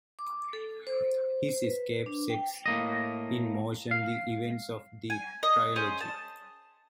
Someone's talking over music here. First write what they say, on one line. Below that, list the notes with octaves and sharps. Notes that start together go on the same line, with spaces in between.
His escape sets in motion the events of the trilogy.
D6
A4
C5
C5
B4
D4
G5
A2 A#3 D#5
F5
G#5
D#5
C#4 G#4 C5
A5